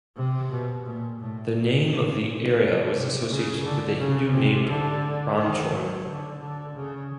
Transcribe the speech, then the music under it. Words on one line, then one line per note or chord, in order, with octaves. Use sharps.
The name of the area was associated with a Hindu named Ranchor.
C3
B2
A#2
A2
A#2
A2
A#2
B2
C3
C#3
D3
C#3
C3
D3
D#3
F#3
D3
D3
C#3